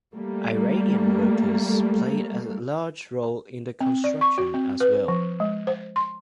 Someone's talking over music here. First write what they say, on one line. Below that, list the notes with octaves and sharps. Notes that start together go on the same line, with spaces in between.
Iranian workers played a large role in the construction as well.
G3 A3 A#3
C4
D5
C#6
F#4
C4
B4
F3
G#3
C5
C6